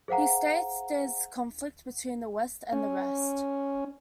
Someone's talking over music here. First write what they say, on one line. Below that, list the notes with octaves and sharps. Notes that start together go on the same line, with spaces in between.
He states there is conflict between the West and the Rest.
G#4 C5 F5 F#5 A#5
C#4